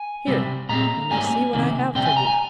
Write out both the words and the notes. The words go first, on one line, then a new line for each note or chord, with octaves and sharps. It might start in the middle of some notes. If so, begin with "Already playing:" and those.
"Here you may see what I have for you."
Already playing: G#5
C3 G3 C4
A#2 G#3 C4 A#5
G#2 G3 A#3 C#4 G#5
C3 D#3 A#3
C3 G3 C4 G5
G#5
A#5
G#5